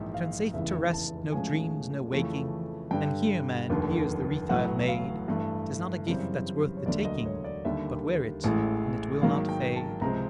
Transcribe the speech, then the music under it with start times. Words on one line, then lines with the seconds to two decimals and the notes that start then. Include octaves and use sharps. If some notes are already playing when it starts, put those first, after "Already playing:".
Turn safe to rest, no dreams, no waking; And here, man, here's the wreath I've made: 'Tis not a gift that's worth the taking, But wear it and it will not fade.
Already playing: A#1 G#2 E3 E5
0.14 F5
0.54 F1 E2 C#3 E3 E5
0.93 A5
1.32 A2 F3 G#3 C#4 G#5
2.12 F2 C#3 E3 A3 C#4
2.91 G2 D3 G3 G5
3.69 F1 D#2 D3 F3
4.49 A1 A2 F#3 B3 F#5
4.88 F5
5.28 G2 E3 A3
6.07 F#2 C#3 E3 G3 C4
6.77 C#5
6.85 E1 D2 D3 F#3 A#3 D5
7.05 D#5
7.26 C#5
7.44 D5
7.65 D#2 D3 G3 A#3 E5
8.44 A1 A2 E3 G#3
9.22 G#2 D#3 F#3 A#3 F5
9.49 G5
9.76 A5
10.01 C#2 C3 F3 G#3 C4 A#5